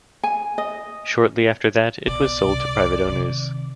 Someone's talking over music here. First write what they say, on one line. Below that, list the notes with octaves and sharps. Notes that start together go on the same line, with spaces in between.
Shortly after that it was sold to private owners.
G#5
D#5
B1 B2 D5
C2
C3 D#3